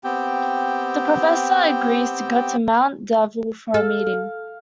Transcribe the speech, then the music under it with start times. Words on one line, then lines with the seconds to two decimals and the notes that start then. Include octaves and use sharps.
The professor agrees to go to Mount Devil for a meeting.
0.04 B3 C4 G4 G5
3.74 A4 F5